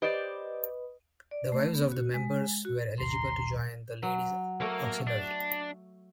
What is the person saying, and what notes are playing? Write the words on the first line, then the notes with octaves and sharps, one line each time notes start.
The wives of the members were eligible to join the Ladies Auxiliary.
G4 B4 C5 D5 D#5
D5
A3
B3
F#4
G#3
F#4
A1 D#2 A#5 C6
F#3
A3 A#3 A#4 C#5
D4